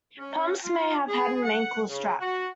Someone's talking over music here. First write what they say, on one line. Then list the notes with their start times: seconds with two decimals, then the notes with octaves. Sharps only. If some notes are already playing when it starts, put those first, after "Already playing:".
Pumps may have an ankle strap.
0.19 C#4
0.64 F4
1.08 G#4
1.43 F#5
1.89 C#3
2.20 F#4